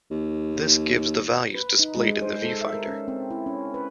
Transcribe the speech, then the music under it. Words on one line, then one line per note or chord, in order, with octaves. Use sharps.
This gives the values displayed in the viewfinder.
D#2
B4
D#4
G#3
C5
A4
E5
A#4
C#4
C4
E4
C#4
B4